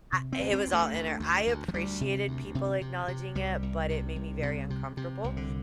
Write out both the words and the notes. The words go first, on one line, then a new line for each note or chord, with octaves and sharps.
Ah it was all inner. I appreciated people acknowledging it, but it made me very uncomfortable,
C3
C4
D2
C4
D2
A3
D2
D2
D2
F3
D2 G3
C3
D2
C3
C3
C3
C2 G3
C2
C3
C2
C3
C3
C3
C2
D3